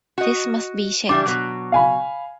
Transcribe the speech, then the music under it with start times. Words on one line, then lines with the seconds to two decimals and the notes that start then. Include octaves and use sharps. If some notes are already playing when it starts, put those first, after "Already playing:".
This must be checked.
0.18 F#4 D#5
1.09 E3 G3 D4 D6
1.26 B2 F#3
1.72 F5 G#5 B5